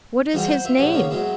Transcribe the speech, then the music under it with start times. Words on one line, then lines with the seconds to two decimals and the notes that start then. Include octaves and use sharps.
"What is his name?"
0.34 E3 G3 G#3 F4 F#4
0.46 C5 F#5 B5
0.65 F4 B4 E5
0.77 A#1 C#4 G4 B4 F#5
0.92 C#3 A#3 B3 C#4
1.10 F#3 G#3 B3 E4 G#4